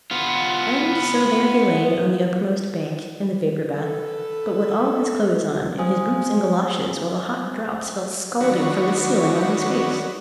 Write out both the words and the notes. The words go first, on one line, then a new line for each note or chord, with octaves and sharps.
And so there he lay on the uppermost bank in the vapor-bath; but with all his clothes on, in his boots and galoshes, while the hot drops fell scalding from the ceiling on his face.
B3 F4
A4 B4
C5 F5 G#5 D#6
D#3 F#3 D4 F#4 B4 C#5